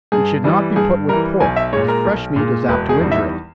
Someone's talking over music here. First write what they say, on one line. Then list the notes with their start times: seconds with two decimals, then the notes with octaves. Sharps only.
It should not be put with pork, as fresh meat is apt to injure it.
0.12 G2 G#4
0.44 E3 G3
0.76 G2 G#4
1.08 E3 G3 A#4
1.40 B1 G#5
1.56 E5
1.73 A#2 G#3 C#5
1.88 A#4
2.05 B1
2.36 A#2 G#3
2.68 E1 B4
2.89 G#4
3.01 E2 D#3 G3
3.11 E5